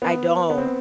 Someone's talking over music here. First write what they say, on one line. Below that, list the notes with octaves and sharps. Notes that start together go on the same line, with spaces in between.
I don't.
B3
B3
C4